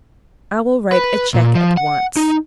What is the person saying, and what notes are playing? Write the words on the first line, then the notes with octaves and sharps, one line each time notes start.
I will write a cheque at once.'
B4
A#2
F3
F#5
D#4